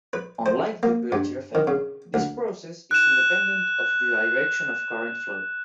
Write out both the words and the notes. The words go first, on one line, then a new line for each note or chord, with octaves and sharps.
Unlike the Peltier effect, this process is independent of the direction of current flow.
B4
C5
A#3
G2
D#3
C#3
D2
F#6 E7